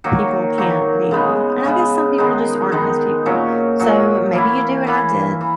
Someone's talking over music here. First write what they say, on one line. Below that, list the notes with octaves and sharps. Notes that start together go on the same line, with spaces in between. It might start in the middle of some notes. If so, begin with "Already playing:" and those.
people can't be and I guess some people just aren't nice people. So, maybe you do what I did
D#3 F#3 A#3
D#3 F#3 A#3
C#3 G#3 B3 D#4
C#3 G#3 B3 D#4
D#3 G#3 B3 D#4
D#3 G#3 B3 D#4
A#2 F#3 C#4
A#2 F#3 C#4
E3 A#3 E4
E3 A#3 E4
E3